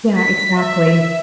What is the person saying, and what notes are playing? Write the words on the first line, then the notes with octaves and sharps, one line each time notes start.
Yeah. Exactly.
B6
E5